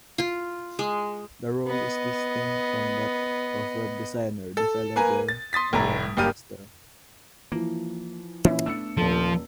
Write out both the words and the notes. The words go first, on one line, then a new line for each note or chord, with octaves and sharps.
The role is distinct from that of web designer, developer or webmaster.
F4
G#3
B3 D#5
A4
A#3 B4 G#5 A#5
A6
C6 D#6 A6 B6
F1 A2 A#5
F#1 G2 A#3 G4 F6 D#7
E3 F3 A#3
A#2 E3 C#4 E4
A3 B3 D4 E6 C#7
D#1 F3 A4